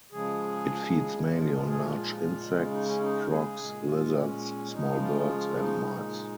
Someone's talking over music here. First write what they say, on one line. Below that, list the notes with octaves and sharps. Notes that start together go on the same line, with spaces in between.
It feeds mainly on large insects, frogs, lizards, small birds, and mice.
C#3 F3 G#3 G#4
A#2 F3 G#3 F4
F4
G#4
F4
D#4
F4
C#3 G#3
D#4
C#4
D#4
G#4
A#2 G#3
F4
C#4
C#3 F3 G#3 D#4
F4
D#4
A#2 G#3